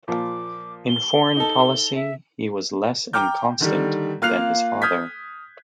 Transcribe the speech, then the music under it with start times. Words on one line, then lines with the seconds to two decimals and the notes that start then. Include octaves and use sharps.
In foreign policy, he was less inconstant than his father.
0.08 A#2 F3 D6
0.89 G7
1.37 D#4 A4
1.95 E5
3.13 G5 A#5 D6 F6 G6
3.60 D3 D#3 G3
4.22 A#3 F4 F6 F#6 C7 F7
4.82 D#6 F6 G6 G#6 B6